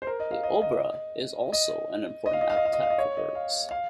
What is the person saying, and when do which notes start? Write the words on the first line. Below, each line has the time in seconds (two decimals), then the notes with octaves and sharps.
The Obra is also an important habitat for birds.
0.02 C5
0.07 A#4
0.20 D#5
0.31 F5
0.43 D#5
0.62 D#5
1.52 D#5
2.26 D#5
2.33 F5
2.41 D#5
2.50 F5
2.57 D#5
2.65 F5
2.73 D#5
2.82 F5
2.90 D#5
2.98 C#5
3.17 D#5
3.35 F5
3.71 F5